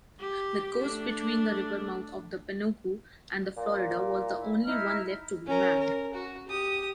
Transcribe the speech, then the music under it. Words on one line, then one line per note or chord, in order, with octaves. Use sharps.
The coast between the river mouth of the Pánuco and the Florida was the only one left to be mapped.
G4
A3 D4
A#2
E4
D#4 E4 F6
C#4 A#4
A#4
F#4
G4 D#6